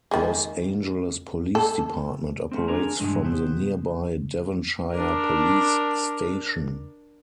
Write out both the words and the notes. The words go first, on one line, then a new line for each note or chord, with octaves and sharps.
Los Angeles Police Department operates from the nearby Devonshire Police Station.
D#3 G#3
A4
A3 A#3 C4
D3 D4 G#4 A#4 D5 A#5
G2 C3 E3 G#3 C4 D4
C3 B3 C5
D4 A#4